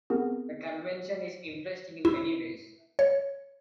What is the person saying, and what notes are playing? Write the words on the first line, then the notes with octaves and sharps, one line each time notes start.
The convention is interesting in many ways.
B3 C4 G#4 A#4
E4
C#5